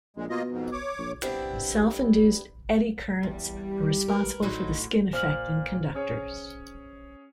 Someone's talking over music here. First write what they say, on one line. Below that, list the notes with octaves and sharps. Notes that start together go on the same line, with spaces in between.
Self-induced eddy currents are responsible for the skin effect in conductors.
A#1 A#2 G#3
B2 A#3 F4 D#5
F2 G#2
C#5 D6
A#1
G3 B3 C4 D4 E4
E2 G3
G4
A#4 B4
A2 F#3 D#4 F#4 C6
A#2 C5 F6 F#7
C#4 G#4 C#5